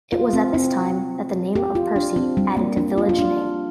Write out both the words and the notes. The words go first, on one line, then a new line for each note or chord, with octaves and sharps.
It was at this time that the name of Percy added to village name.
F4
C4
C4
G4
F4
D4
C4
G3
A#3
D4
F4
F4
D4